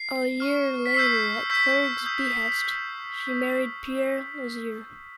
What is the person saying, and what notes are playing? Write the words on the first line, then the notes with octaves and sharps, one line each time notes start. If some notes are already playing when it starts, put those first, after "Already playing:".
A year later, at Clergue's behest, she married Pierre Lizier.
Already playing: C7
C#6 F6
B6
C#6 E6 G6 C7
C#6 E6 G6 B6
D#6 G6